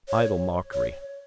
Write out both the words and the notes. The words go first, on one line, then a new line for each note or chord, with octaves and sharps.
Idle mockery.
C#5
C#5